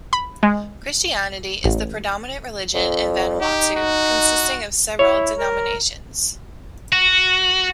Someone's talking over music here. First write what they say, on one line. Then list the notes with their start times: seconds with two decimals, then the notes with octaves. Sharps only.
Christianity is the predominant religion in Vanuatu, consisting of several denominations.
0.13 B5
0.43 G#3
1.64 A1
2.74 F2
3.41 D#4 G4
3.77 F#4
4.99 E4 C#5
5.38 A#4
6.93 F#4